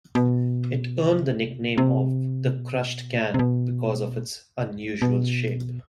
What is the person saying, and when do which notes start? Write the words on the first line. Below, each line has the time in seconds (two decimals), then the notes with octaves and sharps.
It earned the nickname of "The Crushed Can" because of its unusual shape.
0.15 B2
0.96 C3
1.78 C3
2.58 B2
3.34 C3
3.39 B2
5.02 B2